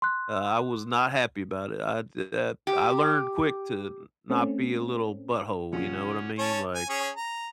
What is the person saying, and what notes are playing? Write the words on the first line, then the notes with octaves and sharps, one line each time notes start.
Uh, I was not happy about it, I did that I learned quick to not be a little butthole, you know what I mean? Like
C6 F#6
G4
A3 C4 C#4
A#1 C#3 C#4 F4 C#5 F#5
C#4 C#5 A5
G#5
C#4 G#4 C#5
A#5